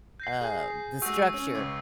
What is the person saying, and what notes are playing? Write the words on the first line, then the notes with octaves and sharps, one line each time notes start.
uh, the structure
G6 A#6 C7
G#4
G#3 F#4 C#6 E6 G6
C#4
C#2 C#5 D6